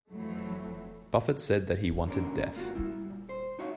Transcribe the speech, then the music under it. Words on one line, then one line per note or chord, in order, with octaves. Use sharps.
Buffet said that he wanted death.
F2 E3 F#3 A3
B1 D3 A#3 C#4 D4 A#4
A#3 F4 F#4
G3 E4
A#2
C5
D#4 F#4 C#5 E5 F5